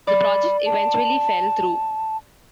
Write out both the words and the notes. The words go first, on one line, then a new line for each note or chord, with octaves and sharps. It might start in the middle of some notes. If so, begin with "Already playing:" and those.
The project eventually fell through.
D5 B5 A6
A5